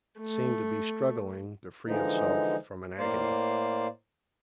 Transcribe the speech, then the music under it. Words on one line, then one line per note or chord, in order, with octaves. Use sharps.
It seemed to be struggling to free itself from an agony.
A3
D3 E3 F3 G#3 D#4
A2 A#3 C5 D5 F5